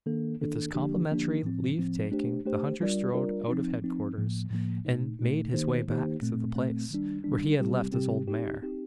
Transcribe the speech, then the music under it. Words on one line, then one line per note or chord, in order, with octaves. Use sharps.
With this complimentary leave-taking the hunter strode out of head-quarters, and made his way back to the place where he had left his old mare.
D#3 A#3 D4 A4
D#3 A#3 D4 A4
D3 F3 A#3 D4 G4
D3 F3 A#3 D4 G4
A2 F3 C4
A2 F3 C4
A3 D4 G4 C5
A3 D4 G4 C5
G3 D4 F4 A#4 D5
G3 D4 F4 A#4 D5
F3 C4 D#4
F3 C4 D#4
A2 F3 A#3
A2 F3 A#3
A#2 A3 D#4
A#2 A3 D#4
D#3 A#3 D#4 G4 C5
D#3 A#3 D#4 G4 C5
A#2 A3 C4
A#2 A3 C4
D#3 G3 D4
D#3 G3 D4
C3 G3 C4 G4
C3 G3 C4 G4
C4 D#4 G4
C4 D#4 G4